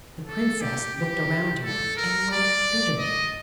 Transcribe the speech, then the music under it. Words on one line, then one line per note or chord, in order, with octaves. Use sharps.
The princess looked around her, and wept bitterly.
A4
G4
G4
A4
A#4
D5
D#5